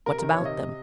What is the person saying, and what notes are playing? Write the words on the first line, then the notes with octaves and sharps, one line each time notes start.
"What about them?"
C3 A#4
D#3 A#4
C#5
C3 D#5
C3